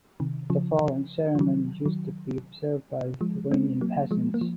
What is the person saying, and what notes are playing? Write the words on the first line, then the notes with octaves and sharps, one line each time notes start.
The following ceremonies used to be observed by Lithuanian peasants.
C3 D#3
C#3 F3
F3
D#3 F#3
D#3 F#3
F3 G#3
G#3 C4
F#3 A#3
F3 G#3
A#3
F3